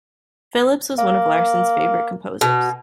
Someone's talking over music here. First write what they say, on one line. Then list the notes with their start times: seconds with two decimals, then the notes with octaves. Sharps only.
Phillips was one of Larson's favorite composers.
0.98 A#3
2.41 B2